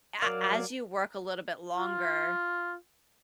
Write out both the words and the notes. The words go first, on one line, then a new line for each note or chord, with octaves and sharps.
a as you work a little bit longer,
F#3 A#4 D5 F5
F4